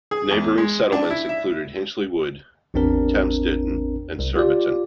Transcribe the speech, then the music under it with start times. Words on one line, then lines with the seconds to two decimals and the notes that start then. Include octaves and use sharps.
Neighbouring settlements include Hinchley Wood, Thames Ditton and Surbiton.
0.11 G#4
0.31 E2
0.58 G#3
0.92 D4
1.10 E4
1.29 E5
2.74 A1 E2 C4 D4 A#4
4.19 C2
4.36 F4 G4 D5